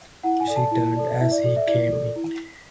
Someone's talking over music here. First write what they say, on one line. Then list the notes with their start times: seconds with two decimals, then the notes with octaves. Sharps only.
She turned as he came in.
0.23 E4 F#5
0.40 G#5
0.47 A4 D5
0.56 A5
0.71 E4
0.96 A4 D5
1.20 E4 E5
1.32 D5
1.44 A4 D5
1.56 E5
1.67 E4 D5
1.92 A4 D5
2.16 E4